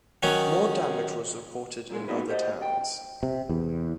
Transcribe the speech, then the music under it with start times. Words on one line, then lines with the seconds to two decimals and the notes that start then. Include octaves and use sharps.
More damage was reported in other towns.
0.23 D#3 F#3 C#4
1.91 F#2 G#3
2.08 A#3 B3 D4 D#4 F#4 B4
2.29 G4 C5 C#5 D#5
2.62 G5
3.23 C3
3.49 E2